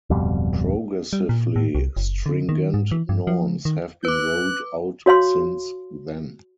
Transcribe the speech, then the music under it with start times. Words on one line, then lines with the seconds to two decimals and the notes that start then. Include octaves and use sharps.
Progressively stringent norms have been rolled out since then.
0.10 D1 F2 B2 G3
1.13 G3
1.29 A#2
1.56 A2
1.75 C2
1.97 F#1
2.26 D3
2.49 D#3
2.74 G#2
2.91 E3
3.09 G2
3.27 F3
3.65 D#3
4.05 B4 D6 F#6
5.06 F#4 C#5 F5 C6